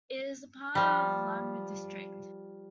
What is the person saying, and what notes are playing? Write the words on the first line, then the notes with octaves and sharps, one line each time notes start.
It is a part of Lamu District.
F3 G3